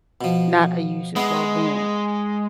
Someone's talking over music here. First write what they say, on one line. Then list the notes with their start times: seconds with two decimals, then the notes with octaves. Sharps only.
not a user's well-being.
0.21 B2 F3
1.16 G#3 B3 E4